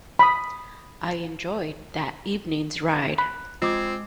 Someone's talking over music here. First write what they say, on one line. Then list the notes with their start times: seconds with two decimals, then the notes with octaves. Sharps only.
I enjoyed that evening’s ride.
0.19 B5 D#6
3.18 B5 F#6
3.62 G#3 C4 F4 D6 G#6